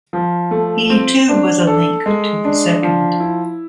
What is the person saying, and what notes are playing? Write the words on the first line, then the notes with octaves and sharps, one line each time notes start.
He too was a link to the second.
F3
A3
C4
D4
A4
G#3
D4
F3
E4